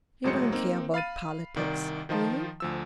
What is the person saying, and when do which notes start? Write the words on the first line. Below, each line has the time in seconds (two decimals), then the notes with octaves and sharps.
"You don't care about politics, do you?"
0.24 G1 A2 F#3 G#3 C5 C#7
0.52 A#3 C4 D#4
0.94 F5 B5 A6 D#7
1.56 C2 D#3 D5
2.09 D#3 F3 D#4 F4 A5
2.60 D2 F3 E6